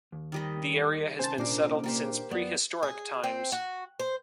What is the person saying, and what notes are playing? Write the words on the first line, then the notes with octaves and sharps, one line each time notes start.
The area has been settled since prehistoric times.
D#2
D#3 G3 D#5
C3 C#4 C5 G#5 A5
A#2 D4 A#4 C5 D6
A#3 G4 C5
F#2 B3 D5
G#4
C4
F#4
C5